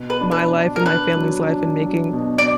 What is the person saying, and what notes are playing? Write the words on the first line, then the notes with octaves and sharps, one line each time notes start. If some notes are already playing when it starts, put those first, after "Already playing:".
my life and my family's life, and making
Already playing: B2
B4
D4
B4
D4
A#4
D4 B4
F#3
D4
F#3
B2
D5